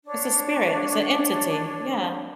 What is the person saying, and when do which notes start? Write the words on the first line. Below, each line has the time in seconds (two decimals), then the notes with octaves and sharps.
It's a spirit. It's a entity. Yeah.
0.05 D4 C#5